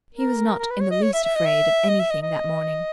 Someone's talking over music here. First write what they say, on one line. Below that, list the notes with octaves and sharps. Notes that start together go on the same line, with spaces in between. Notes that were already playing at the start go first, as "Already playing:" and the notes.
He was not in the least afraid of anything that morning.
A#4
A#4
B4
C#5
D#5
C#5
E5
E5
D#5
E5
D#5
E5
D#5
D#5